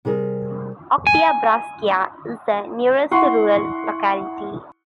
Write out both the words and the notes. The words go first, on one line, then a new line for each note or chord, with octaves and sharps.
Oktyabrskaya is the nearest rural locality.
C3 G3 G#4 A#4
G#5
E4 F#5 C6 C#6